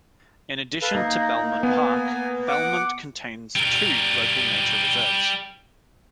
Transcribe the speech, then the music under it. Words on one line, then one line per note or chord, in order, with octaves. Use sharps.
In addition to Belmont Park, Belmont contains two Local Nature Reserves.
A4 B4 F5
A#3 D#4
B3 G#5
F#5 D6
G3 A#4